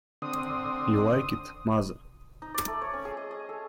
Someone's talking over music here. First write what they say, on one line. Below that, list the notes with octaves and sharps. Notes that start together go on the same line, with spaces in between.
You like it, mother?
D3 C4 D#6
D#4
D5
A3
C#5
C#4
G#4
D#5
D#5
A4